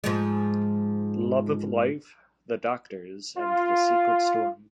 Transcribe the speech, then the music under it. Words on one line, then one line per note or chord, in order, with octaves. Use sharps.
"Love of Life", "The Doctors", and "The Secret Storm".
G#2 F3 G#3
F4